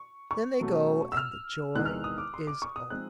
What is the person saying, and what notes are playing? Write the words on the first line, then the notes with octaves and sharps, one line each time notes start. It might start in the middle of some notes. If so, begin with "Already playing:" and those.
Then they go and the Joy is over.
Already playing: C#6
C#6
B2 F#3 A3 C#4
E6
F6
E2 C3 D#3 G#3 F#6
F6
D#6
D6
C6
D6
C#6
D#6
F3 G#3 C4 D#4 F#6